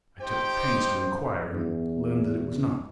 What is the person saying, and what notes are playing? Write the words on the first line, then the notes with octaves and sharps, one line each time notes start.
I took pains to enquire, and learned that it was not.
D#4 G4 C5 G5
E2